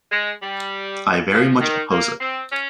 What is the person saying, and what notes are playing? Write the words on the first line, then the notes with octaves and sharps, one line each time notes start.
I very much oppose it.
G#3
G3
F3
D#3
A#3
C4
C#4